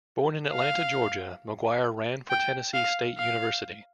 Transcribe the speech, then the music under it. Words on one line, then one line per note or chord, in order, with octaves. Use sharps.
Born in Atlanta, Georgia, McGuire ran for Tennessee State University.
F5
G5
F5
F5